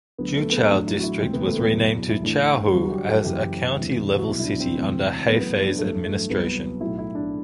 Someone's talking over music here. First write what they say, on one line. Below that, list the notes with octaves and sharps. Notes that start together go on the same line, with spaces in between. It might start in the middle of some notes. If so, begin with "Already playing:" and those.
Juchao District was renamed to Chaohu as a county-level city under Hefei's administration.
D2 D3 F#3 B3
A3
B3
A1 A2 F#3 D4
E4
F#4
E4
E1 D2 C3 E3 C4
B3
A3
B3
F#1 E2 B2 F#3
E4
A1 A2 E3 D4
G1 G2 F#3 F#4
G4
A4
F#1 F#2 E3 G4
E1 D2 C3 E3
F#4
C2 B2 F#3 E4
E4
D4
C4
E1 D2 C3 E3
A1 A2 F#3 B3
B3
D4
A1 G2 F#3 A3
A3
C2 C3 F#3 B3
B1 A2 F#3 E4
E4
D4